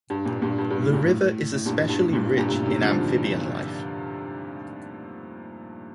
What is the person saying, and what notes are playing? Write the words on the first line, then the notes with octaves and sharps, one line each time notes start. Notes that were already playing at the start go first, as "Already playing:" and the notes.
The river is especially rich in amphibian life.
G2
G2 A#2
G2 A#2
G2
G2
A2
G2 A#2
A2
A2
G2 A#2
A2
G2
A2
G2 A#2
A2
G2 A#2
A2 C3
C3 D#3
D3 F3